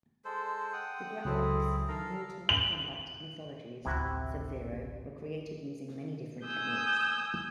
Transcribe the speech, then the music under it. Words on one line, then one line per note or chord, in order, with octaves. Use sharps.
The graphics in "Mortal Kombat Mythologies: Sub-Zero" were created using many different techniques.
G#3 A4 C5
F#5 G5 D#6
C#2 F#3 C4 E4 G#4 A4
A4 A#4 F5 A#5
F#7
A1 D2 C3 E4 F#4
G#5 D#6 E6 G6